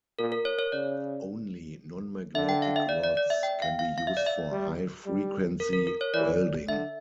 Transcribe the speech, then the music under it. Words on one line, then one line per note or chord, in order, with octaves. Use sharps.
Only non-magnetic rods can be used for high-frequency welding.
A#2 A#4
A#4
C#5
C#5
C#3 D5
D3 E5
G5
F5
E5
D5
D5
D5
E5
G5
F5
F5
F5
E5
D5
E5
G3
G3
A#4
A#4
A#4
C#5
E3 D5
D3 E5